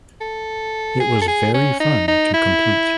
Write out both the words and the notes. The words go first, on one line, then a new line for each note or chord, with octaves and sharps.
It was very fun to complete.
A4
G#4
A4
G#4
C#4
D#4
D#4
E4